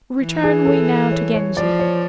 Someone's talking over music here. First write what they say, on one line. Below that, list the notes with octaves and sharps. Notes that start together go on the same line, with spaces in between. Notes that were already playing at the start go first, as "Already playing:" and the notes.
Return we now to Genji.
E3
G#4
A4
C#5
C#5
F3 D5
C#5